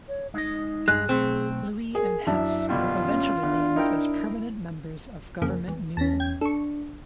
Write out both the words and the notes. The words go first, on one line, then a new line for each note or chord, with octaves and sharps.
Louis and Hess were eventually named as permanent members of Gov't Mule.
C#5
G#3 D#4 D#5
G2 G#3 F#6
B1 A3 C4 G#4
G#4 A#4
F#2 D4 E4 E5 A5
G2 B2 D3 F4
C#4
E2 D4
D#4 E4 A#4 G5
F2 C#3 A#3
E2
E2 C#4 A5 A#6 B6
G5 G#6
D4 A4 C#6